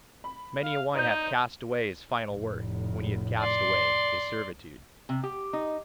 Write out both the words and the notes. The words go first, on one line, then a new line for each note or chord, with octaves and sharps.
Many a one hath cast away his final worth when he hath cast away his servitude.
B5
F5
D#4 C5 D5 G6
F1 A2
D5 C6
C3
G4
D#4